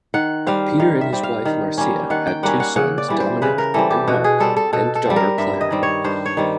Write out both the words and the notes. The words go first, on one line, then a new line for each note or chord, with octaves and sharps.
Petre and his wife Marcia had two sons Dominic and Mark and daughter Clare.
D#3 F#5
G3 C4 F5
D#3 F5
E5
G3 C4
F5
D#3
G3 A#3 C#4
D#3 F#5
G5
G3 A#3 C#4 F#5
F#5
C#3 F#5
D5
E3 G3 C4
C5
C#3 B4
A#4
E3 G3 C4 A4
G4
B2 F#4
G#4
G3 C4 A4
A4
B2 A4
A4
G3 C4
A#4
G2 E5
D#5
D#3 G3 C4
C#5
G2 C5
C#5
D#3 G3 C4